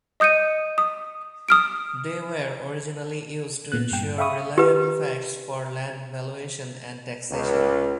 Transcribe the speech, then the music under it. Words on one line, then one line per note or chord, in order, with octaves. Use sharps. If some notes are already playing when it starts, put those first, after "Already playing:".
They were originally used to ensure reliable facts for land valuation and taxation.
D#5 D#6 G6 C#7 D#7
D#6
D#6 F6 D7
A#2 B3 F#6
G2 G5
E5 F5 G5 B5 C#6 D#6
G4 B4
C#2